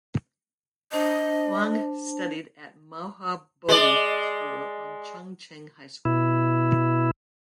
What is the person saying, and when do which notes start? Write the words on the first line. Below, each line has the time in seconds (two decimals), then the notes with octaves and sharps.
Huang studied at Maha Bodhi School and Chung Cheng High School.
0.92 D4 C5 D#5 A5
3.69 G#3 D5
6.05 B2 E4